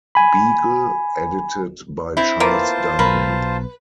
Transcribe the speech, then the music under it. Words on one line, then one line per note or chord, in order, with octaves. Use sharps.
Beagle, edited by Charles Darwin.
G#5 B5
C4 E4
A#3 B3 F4 C5 A5
B1 A#4 B4